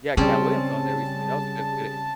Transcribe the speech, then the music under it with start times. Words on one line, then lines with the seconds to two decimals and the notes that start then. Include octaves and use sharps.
He had Katt Williams on there recently, that was a good good e
0.17 C#3 G3 C4 C#4 G#4 A5